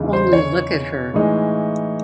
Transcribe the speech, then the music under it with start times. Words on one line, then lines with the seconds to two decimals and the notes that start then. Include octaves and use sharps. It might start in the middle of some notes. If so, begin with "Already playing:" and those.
Only look at her.
Already playing: E2 C#3 G#3 D#4
0.13 C5
0.33 C#5
1.14 A2 E3 G#3 D#4